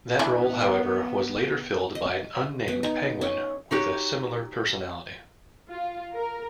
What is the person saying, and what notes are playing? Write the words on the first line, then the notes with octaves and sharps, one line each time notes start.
That role however was later filled by an unnamed penguin with a similar personality.
E3 B3 D4 E4
D#5
B3
D#4
C#4
D#4 F#4 G4 C#5
F4
A#4